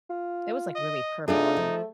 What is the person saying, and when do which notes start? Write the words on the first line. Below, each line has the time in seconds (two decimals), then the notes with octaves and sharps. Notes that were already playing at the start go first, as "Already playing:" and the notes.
it was like really purple and
0.10 F4
0.75 D#5
1.28 A3 D4 D#4 F4 G#4
1.57 F3